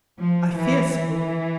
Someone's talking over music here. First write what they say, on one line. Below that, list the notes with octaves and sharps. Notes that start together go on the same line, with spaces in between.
"I fear so."
F3
E3
E3